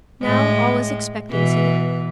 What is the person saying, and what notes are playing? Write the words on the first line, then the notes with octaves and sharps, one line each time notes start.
Now all was expectancy.
A2 G#3
B2 E3